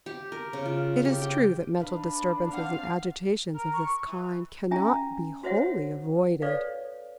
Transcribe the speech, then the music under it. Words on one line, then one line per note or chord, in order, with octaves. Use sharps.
It is true that mental disturbances and agitations of this kind can not be wholly avoided.
G4
A#4
C#3
F4
G4
G5
D4 B4 F5
C4 F5 F#5 A5
A#4
C#6
E3
C#4 E5 G#5 A#5
F#4 C5 C#5 E5 F#5
A4 B4 C#5 D5 F5